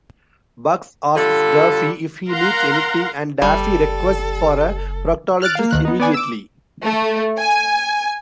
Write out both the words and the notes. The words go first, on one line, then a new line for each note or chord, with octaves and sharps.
Bugs asks Daffy if he needs anything and Daffy requests for a proctologist immediately.
D3 G3 F4 A4
A#4 F5 F#5 A#5 C6
F#1 G3 A4
F6 F#6 A6 D7
A#3 F5
D2 D#3 F#6
B3 D#4
B3 D5 G#5
D6 E6
A3
G#5